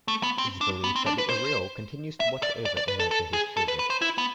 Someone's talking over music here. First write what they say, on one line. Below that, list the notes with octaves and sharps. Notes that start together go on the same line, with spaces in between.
It is believed that Ereal continues to watch over and nurture his children.
A3
B3
C4
D4
B3
C4
D4
B4
C5
E5
D5
D5
D5
B4
A4
A4
G#4
A4
B4
B4
C5
E4
B3